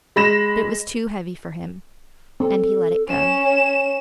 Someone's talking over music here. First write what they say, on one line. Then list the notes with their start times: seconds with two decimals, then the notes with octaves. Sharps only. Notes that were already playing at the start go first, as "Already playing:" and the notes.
But it was too heavy for him, and he let it go.
0.16 G#3 B5 A#6 E7
2.40 C4 A4
3.08 C#4 C#5 E7